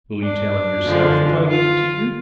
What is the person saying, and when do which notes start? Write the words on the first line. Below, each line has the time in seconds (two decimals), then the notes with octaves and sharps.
"Will you tell him, yourself--if I leave it to you?"
0.24 D4
0.85 F#2 D3 F3 G#3
1.46 F4